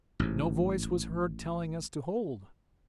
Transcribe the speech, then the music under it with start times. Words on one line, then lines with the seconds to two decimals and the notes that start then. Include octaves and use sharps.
No voice was heard telling us to hold!
0.20 A1 G#2